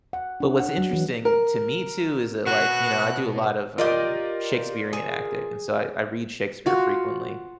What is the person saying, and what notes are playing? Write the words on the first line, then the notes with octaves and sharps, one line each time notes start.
But what's interesting to me, too, is that, like, you know, I do a lot of, um, Shakespearean acting and so I I read Shakespeare frequently,
F#5
D4
F#5
F#3
E3
A#4
B2 F#4 F#6
F4 G4 A#4 D5 D#5 F5
G#4
F4 F#4